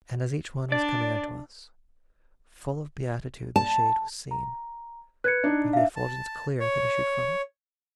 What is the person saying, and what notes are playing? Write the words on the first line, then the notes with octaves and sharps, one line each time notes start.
And as each one was coming unto us, Full of beatitude the shade was seen, By the effulgence clear that issued from it.
D4 D5
A5
A#5
B4 F#6 G#6 C#7
D4 D#4
E5 F5
A5
C#5